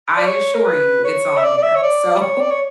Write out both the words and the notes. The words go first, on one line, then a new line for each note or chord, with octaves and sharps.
I assure you it's on there. So,
D5
C#5
A#4
B4
C#5
E5
D5
D5
E5
C#5
D5
C#5
D5
C#5